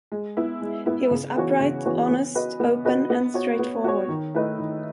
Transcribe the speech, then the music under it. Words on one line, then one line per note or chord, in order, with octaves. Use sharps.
He was upright, honest, open and straightforward.
G#3
B3 E4
G#3
B3 E4
C#3
E3 B3 F#4 C#5
C#3
E3 B3 F#4 C#5
B3
F#4 B4 D#5
B3
F#4 B4 D#5
B3
F#4 C#5
B3
F#4 C#5
D#3
A3 E4 B4 D#5
D#3